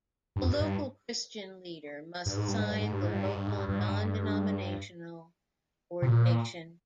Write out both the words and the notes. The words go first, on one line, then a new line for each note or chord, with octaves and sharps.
A local Christian Leader must sign the local non-denominational ordination.
G2
F2
G2
G2
G2
G#2
G2
G#2
G2
G#2
G2
G#2
G2
G#2
G2
G#2
G2
G2
G#2
G2
C3
A#2